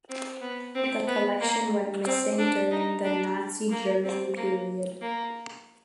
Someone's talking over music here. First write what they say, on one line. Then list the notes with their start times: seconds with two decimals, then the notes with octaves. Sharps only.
The collection went missing during the Nazi Germany period.
0.09 C4
0.41 B3
0.75 C4
1.07 B3
1.41 A#3
2.06 C4
2.38 D4
2.71 D#4
3.04 D4
3.71 A#3
4.04 C4
4.37 A#3
5.02 A#3